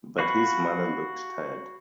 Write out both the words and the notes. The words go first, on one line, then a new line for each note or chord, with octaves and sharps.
But his mother looked tired.
F#4 F5 B5 C#6